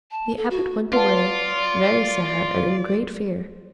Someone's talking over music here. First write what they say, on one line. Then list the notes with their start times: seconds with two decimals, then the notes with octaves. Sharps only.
The abbot went away very sad and in great fear.
0.11 A5
0.37 A4
0.50 F#4
0.93 F4 B4 D5 F#5 A5